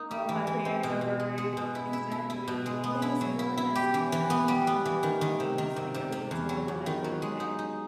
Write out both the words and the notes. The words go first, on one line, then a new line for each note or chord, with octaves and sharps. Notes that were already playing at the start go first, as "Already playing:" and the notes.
"Oh, my parents are worried" Exactly, yes, you go in that cycle in your head, you're like, "Oh my goodness, like, everything is horrible, and I do everything bad,"
Already playing: A#3 D#4
G3
E3
E3
C4
B2
B2
G#3
G#3
B2
E4
E4
E4
E4
B2
G#3
B3
E4
F#3
E4
E4
G4
E3
E3
B3
G3
B3
E3
D#3
D#3
C3
D#3
C3
C3
C3
E2
F#3
E2
D#3
F#3
G#3
D#4
D#4